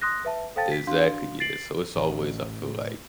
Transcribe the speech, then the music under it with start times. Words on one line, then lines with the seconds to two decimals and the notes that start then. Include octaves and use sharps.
Exactly, yeah. So, as always I feel like
0.01 C6 D#6 F#6 A#6
0.25 B4 E5 A5
0.56 A4 C5 F5 G5 A5 A6
0.71 B6
0.87 D4 F#4 F5 C6
1.40 A6 C7 D7 F#7
1.95 A1